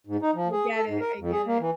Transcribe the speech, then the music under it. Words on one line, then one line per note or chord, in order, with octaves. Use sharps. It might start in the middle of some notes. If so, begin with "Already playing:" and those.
I get it, I get it,
G#2
D#4
F3
G#4
A4
G#2
A#4
F2
G#4
A#3
E3